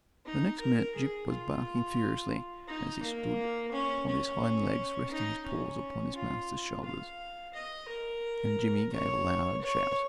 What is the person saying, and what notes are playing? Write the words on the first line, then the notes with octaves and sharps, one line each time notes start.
The next minute Gyp was barking furiously, as he stood upon his hind legs resting his paws upon his master's shoulders, and Jimmy gave a loud shout.
D#4
A#4
G#4
F4
D#4
A#3
C#4
C#4
D#4
C#4
F4
F5
D#5
A#4
C#5
C#5